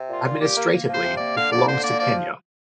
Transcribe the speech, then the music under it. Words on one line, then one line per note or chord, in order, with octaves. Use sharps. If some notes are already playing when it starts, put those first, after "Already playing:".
Administratively it belongs to Kenya.
Already playing: C3
A#2 F4
A#2
A#3 G4
A#3
A#3
F3
C5
C3
A#3 D5
D3 F5
A#3 D5
D3 C5
A#3 D5
F3 D5